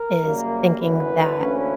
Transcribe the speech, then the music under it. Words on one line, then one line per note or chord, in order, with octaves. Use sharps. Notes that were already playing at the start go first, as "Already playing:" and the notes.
is thinking that
Already playing: A#4
F#2 C#3 G3 A#3
G1 F#2 E3 B4
D2 D3 A#3 C#4 E4